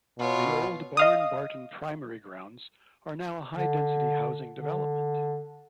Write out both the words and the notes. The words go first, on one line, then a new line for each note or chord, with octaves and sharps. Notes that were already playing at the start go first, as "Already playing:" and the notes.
The old Barne Barton Primary grounds are now a high density housing development.
B2 F4 C#5
D#5 F5 D#6
D3
D3